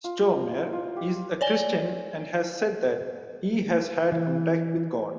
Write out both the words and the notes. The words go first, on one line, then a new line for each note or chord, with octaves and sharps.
Stormare is a Christian and has said that he has had contact with God.
F4
D#5
E4
F4
G4
C#5 D5 G#5 G7
E3